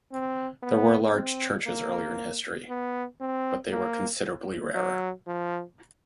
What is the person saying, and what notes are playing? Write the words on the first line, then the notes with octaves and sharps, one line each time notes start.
There were large churches earlier in history, but they were considerably rarer.
C4
B3
C4
A#3
B3
C4
A#3
F#3
F3